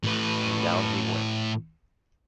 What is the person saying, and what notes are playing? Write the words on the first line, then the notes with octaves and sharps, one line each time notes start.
And down he went.
A2 B4